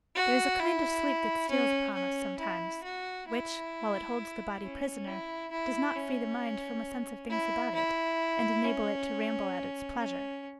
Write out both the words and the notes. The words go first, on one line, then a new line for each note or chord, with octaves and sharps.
There is a kind of sleep that steals upon us sometimes, which, while it holds the body prisoner, does not free the mind from a sense of things about it, and enable it to ramble at its pleasure.
F#4
E4
C#4
C#4
E4
F#4
E4
C#4
E4
E4
C#4
E4
E4
C#4
C#4